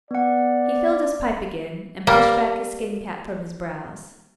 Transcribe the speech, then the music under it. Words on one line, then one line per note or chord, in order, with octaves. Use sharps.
He filled his pipe again, and pushed back his skin cap from his brows.
B3 D5 F#5
G3 A#3